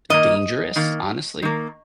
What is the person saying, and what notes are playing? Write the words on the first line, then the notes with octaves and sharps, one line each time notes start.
dangerous, honestly.
D#3 A#3 D#5
D#3 A#3
D#3 A#3